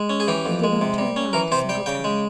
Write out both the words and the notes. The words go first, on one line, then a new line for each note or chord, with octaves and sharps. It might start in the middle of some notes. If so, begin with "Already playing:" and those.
He did not turn round a single time.
Already playing: G#3
C#4
G#4
E3 G4
F2
G#3
C3
G3
C#4
E3 A#4
C3 C5
G3 G5
C#3 G5
G#3